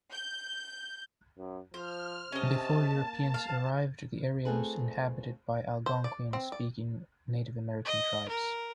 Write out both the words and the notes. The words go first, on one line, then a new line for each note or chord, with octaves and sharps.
Before Europeans arrived, the area was inhabited by Algonquian-speaking Native American tribes.
G6
F#2
F3 C5 F6
C3 C#4 D#5 A5
A#3
F5
A3 C4 F4 G#4 A4 B4
C5
D5
C4
D5
D#5
A#4